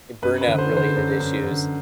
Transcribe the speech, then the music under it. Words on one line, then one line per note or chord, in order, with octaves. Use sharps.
burnout related issue,
F#2 B4
B4
D3
C5
D3
C5
F#2
F#2
D3